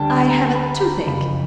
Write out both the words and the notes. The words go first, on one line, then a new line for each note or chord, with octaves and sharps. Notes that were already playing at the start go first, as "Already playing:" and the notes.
I have a toothache.
Already playing: D2 D3 G3 G5 A5
A#5
B5
B5
F#1 F2 C#3 B5